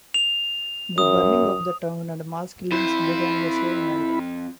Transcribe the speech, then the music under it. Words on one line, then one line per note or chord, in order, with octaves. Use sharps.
The burning of the town and mass killings began the same night.
F7
F#2 D#6
F2 E4 C5 B5